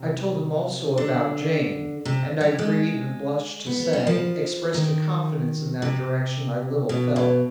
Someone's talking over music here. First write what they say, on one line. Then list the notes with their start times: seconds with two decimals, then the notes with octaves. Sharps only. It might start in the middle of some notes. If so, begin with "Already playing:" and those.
I told him also about Jane; and, I grieve and blush to say, expressed a confidence in that direction I little felt.
Already playing: C3
0.98 D3
2.05 C3
2.41 G3
2.59 G#3
3.66 B3
3.80 B3
3.93 G3
4.07 F3
4.74 D#3
5.82 C3
6.89 B2
7.16 B2